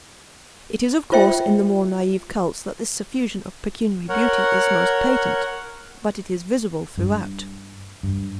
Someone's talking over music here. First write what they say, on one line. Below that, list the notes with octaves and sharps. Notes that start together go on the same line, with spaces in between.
It is of course in the more naive cults that this suffusion of pecuniary beauty is most patent, but it is visible throughout.
F4 C5 E5 G5
A#4 C#5 F#5
G2
G2